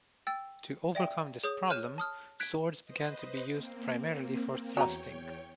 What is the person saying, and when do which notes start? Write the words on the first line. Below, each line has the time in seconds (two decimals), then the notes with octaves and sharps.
To overcome this problem, swords began to be used primarily for thrusting.
0.27 G5 E6 A6
0.95 D5 E5 G5
1.44 G#4 C#5 D#6
1.70 C#5 F6 F#6 D#7 E7
1.98 A5 D#6 F6
2.40 F#6 G#6 B6 D7
2.85 B4 C5 D#5
3.56 A#3 C4
4.77 E2 F#4 C#5 G5 A#5